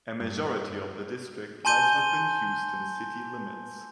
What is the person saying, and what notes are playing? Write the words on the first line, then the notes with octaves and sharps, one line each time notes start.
A majority of the district lies within Houston city limits.
G2
G#5 A5 C6 G6 D#7 G7